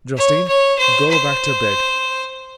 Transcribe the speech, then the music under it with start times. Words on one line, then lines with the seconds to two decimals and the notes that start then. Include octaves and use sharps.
Justine, go back to bed.
0.17 C#5
0.48 C#5
0.78 C5
1.10 C5